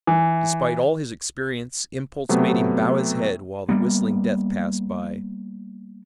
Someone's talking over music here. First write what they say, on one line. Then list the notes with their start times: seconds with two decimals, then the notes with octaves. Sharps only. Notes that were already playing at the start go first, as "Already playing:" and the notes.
Despite all his experience impulse made him bow his head while the whistling death passed by.
0.07 E3
2.29 C3 F#3 A3 B3
3.69 G3 A#3 B3